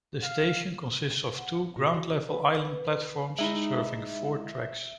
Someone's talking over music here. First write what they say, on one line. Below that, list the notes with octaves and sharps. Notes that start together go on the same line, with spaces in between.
The station consists of two ground-level island platforms serving four tracks.
F5
F#5
A#2 F#4
E3
B4
G#3 D#4 E4 E5